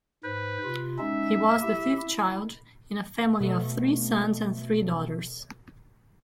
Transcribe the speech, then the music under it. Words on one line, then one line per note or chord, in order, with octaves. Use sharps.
He was the fifth child, in a family of three sons and three daughters.
G#2 B4 C5
C3 F4
G#3 C#4 D#4 E5
E4 G4
E4
B2 A3